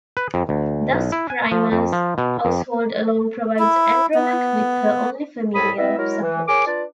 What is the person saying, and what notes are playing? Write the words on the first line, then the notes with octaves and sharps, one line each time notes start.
Thus Priam's household alone provides Andromache with her only familial support.
B4
F2
D2
B1
E4
G#5
F3
F2
F3
B2
F2
E4
B3
C2 A2 A4 C#5 B5 D#6
B3 C4 E4 D#5 E5
F#3 G#3 E4 A#4
E3
G#4 A#4 C#5 D6
D4 F4 B4 D5